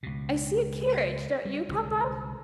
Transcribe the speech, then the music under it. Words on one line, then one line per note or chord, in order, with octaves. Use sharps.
"I see a carriage; don't you, papa?"
C#2 B2
G3
C2 D3 E3 G#3